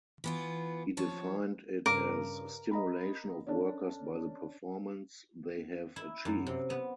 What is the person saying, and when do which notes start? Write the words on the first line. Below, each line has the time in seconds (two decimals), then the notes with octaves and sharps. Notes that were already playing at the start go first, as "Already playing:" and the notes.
He defined it as: Stimulation of workers by the performance they have achieved.
0.24 E3 B3 F4
0.97 F3 C#5 A5
1.86 G2 C#3 A#4 D6
2.71 D#5 A#5 B5
3.47 C#4 D4 A4
5.96 E4
6.25 F#2
6.47 C3
6.70 B3